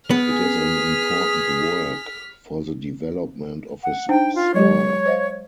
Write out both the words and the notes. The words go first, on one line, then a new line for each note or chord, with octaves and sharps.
It is an important work for the development of his style.
B3 G#4 F6 B6
F#5
D4 D#4 C5 G5
F4
F#3 G#3 G4 C#5
C5 D#5 F5